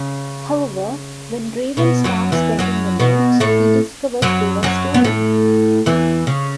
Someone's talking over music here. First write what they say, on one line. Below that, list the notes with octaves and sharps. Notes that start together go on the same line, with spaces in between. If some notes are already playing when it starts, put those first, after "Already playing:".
However, when Raven starts spending the notes, he discovers they were stolen.
Already playing: C#3 C#4
B2 B3
F#2 F#3
E2 E3
F#2 F#3
B2 B3
A2 A3
F#2 F#3
F#2 F#3
B3
A2 A3
E2 E3
C#3